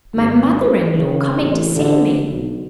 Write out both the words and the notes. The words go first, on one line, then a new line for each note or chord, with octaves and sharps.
My mother-in-law coming to see me!
G#1
C#3
A1
D3
B1